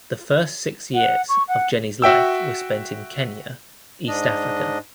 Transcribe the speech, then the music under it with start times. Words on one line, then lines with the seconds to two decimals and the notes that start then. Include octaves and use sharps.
The first six years of Jenny's life were spent in Kenya, East Africa.
0.94 F#5
1.28 C#6
1.48 F#5
2.02 F#4 E5 G5 E6
4.08 G#2 D4 D#5